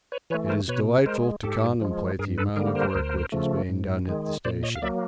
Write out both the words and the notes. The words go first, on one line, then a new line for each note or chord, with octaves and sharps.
It is delightful to contemplate the amount of work which is being done at the station.
B4 C#5
E3 A3 B4 C#5
A#4 C5
B2 B4 C#5
G#3 A#4 C5
G#2 G4 A4
F3 G#3
G2 G#4 A#4
A4 B4
D3 G3 A#3 G#4 A#4
A#4 C5
D2
C#3 F3 A3
G#2
D#3 G#3
A#2 C5 D5
C#5 D#5
F5
F#3 A#3 D5 E5